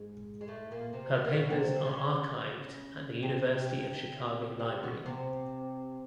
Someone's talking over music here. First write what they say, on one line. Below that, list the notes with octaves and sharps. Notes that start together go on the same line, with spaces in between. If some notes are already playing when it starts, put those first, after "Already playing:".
Her papers are archived at the University of Chicago Library.
Already playing: G#2 G#3
G#3
A2 A3
A#2 A#3
C3 C4
B3
A#3
B2 B3
C3 C4
C#3 C#4
C3 C4
C3 C4
B2 B3
C3 C4